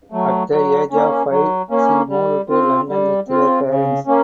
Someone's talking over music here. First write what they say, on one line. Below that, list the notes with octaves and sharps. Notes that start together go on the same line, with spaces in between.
At the age of five she moved to London with her parents.
F#3 A3
F#3
A#3 C#4
F#3
A#3 C#4
G3
C4 F4
G3
C4 F4
C#3
A#3 C#4